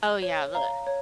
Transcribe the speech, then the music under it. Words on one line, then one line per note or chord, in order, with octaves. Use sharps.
Oh, yeah, the
C#5
F5 A#5
C#5